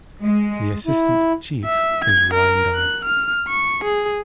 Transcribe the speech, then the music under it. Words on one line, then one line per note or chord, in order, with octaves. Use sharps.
The Assistant Chief is Ryan Dodd.
G#3
E4
E5
G#6
A#4
F#6
F6
C#6
G#4